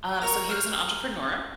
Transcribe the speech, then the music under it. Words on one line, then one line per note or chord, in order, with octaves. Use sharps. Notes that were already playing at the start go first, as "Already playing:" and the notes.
Um, so he was an entrepreneur
A#4 C#5
C5 F6 F#6